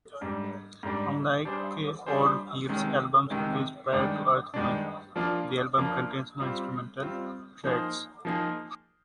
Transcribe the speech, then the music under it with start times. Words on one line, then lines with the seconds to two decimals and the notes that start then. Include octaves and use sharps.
Unlike Oldfield's albums released prior to "Earth Moving", the album contains no instrumental tracks.
0.21 G#2 G3 D4
0.83 G#2 G3 D4
1.45 G3 D4 G#4 C5
2.06 G3 D4 G#4 C5
2.69 C3 D#3 G#3
3.30 C3 D#3 G#3
3.92 G2 D#3 G#3 D4
4.54 G2 D#3 G#3 D4
5.16 F3 A#3 D4 F4
5.78 F3 A#3 D4 F4
6.40 G3 C4 F4
7.01 G3 C4 F4
7.64 F3 A#3 D#4 G#4 C5
8.25 F3 A#3 D#4 G#4 C5